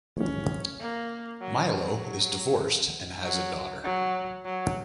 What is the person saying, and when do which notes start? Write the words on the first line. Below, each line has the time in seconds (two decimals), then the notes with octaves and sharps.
Milo is divorced and has a daughter.
0.19 C#4
0.80 A#3
1.41 F#3
1.71 F#3
3.23 F#3
3.84 F#3
4.45 F#3